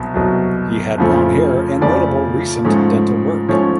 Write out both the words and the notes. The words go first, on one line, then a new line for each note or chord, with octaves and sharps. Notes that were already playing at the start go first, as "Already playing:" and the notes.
He had brown hair and notable recent dental work.
Already playing: C2 B2 F#3
C2 B2 F#3
F2 C#3 F3 A3
F2 C#3 F3 A3 D5
G#2 F3 A3 C#4
G#2 F3 A3 C#4 C#5